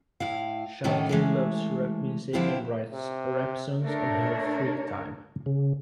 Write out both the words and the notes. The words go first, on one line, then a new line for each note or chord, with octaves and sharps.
Shanti loves rap music and writes rap songs in her free time.
A2 E4 F5
A2 D3 D#3 G3 A3 C#4
E3 G#3 A3
D3 F3 C4 E4 G4
C3
A3 D4 A#4 C#5
C#3